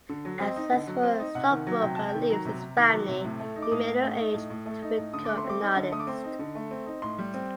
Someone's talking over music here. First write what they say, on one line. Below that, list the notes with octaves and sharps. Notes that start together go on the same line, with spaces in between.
A successful stockbroker leaves his family in middle age to become an artist.
D3
F#3
C4 D#5
D#4
D3
F#3
C4
D#4
C3 F#5
D#3
F#3
C3 G5
C3 A5
D#3 G5
F#3 A#5
C3
C3
D#3 D6
F#3
C3
A2
A3
D#4
D6
A2 D#6
A2
A3
D#4
A2
A2
A3
D#4
A2
D3 D#6
A3 D6
C6
C4
D6
D#4
D3
A3 D#6
D6
C4 C6
D#4
D3
A3
C4
D#4
A2 C6
G3
C4